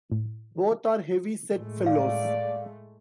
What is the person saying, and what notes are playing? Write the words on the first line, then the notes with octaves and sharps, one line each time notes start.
Both are heavy set fellows.
A2
A2 G#3 A3
D5 F5